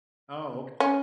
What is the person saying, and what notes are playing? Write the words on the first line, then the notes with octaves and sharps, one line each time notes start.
Oh, okay.
C#4